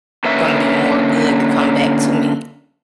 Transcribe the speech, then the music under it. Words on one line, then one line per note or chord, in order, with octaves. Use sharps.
gonna be more good that come back to me.
D3 A#3 C#4 B4 C#5 E5